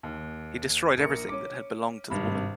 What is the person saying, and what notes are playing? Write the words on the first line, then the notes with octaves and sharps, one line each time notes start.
He destroyed everything that had belonged to the woman.
D#2
A#1 A#4 C#7
C#4 D6
G#1 G2 C3 B5